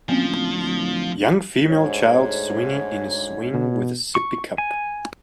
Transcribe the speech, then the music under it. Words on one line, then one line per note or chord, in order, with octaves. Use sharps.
Young female child swinging in a swing with a sippy cup.
D1 F3 A#3 C4 C#4
D2 G#2 C#5
B2
C#6
G#5